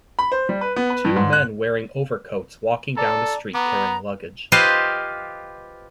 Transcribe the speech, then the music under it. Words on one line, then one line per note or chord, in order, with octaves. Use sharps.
Two men wearing overcoats walking down the street carrying luggage.
B5
C5
G3
B4
B3
B4
G2
G#2
F#6
A4 D5 A5 A#5
B3 A#5 D6
F4 G4 B4 C5 D#5 F5